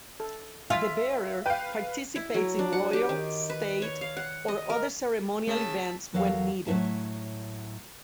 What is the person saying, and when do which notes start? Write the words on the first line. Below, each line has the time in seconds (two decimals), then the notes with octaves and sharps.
The bearer participates in royal, state, or other ceremonial events when needed.
0.20 A4
0.70 F4 E5 G#5 B6
1.46 B4 F5 G5
2.16 E4
2.34 F#3
2.59 D4
2.73 F#5
2.93 G4
3.09 D#3
3.49 B4
3.82 C#5
4.01 F5
4.17 F#5
4.48 D#5
4.70 A#4
5.47 C#3 A3 E5 A5
6.13 E2 F#3 A4 A#4 D#5 F5
6.66 A2 F#3 C#4 E5 A5